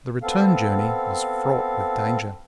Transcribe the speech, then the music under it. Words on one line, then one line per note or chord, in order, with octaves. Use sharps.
The return journey was fraught with danger.
B3 C4 A4 F5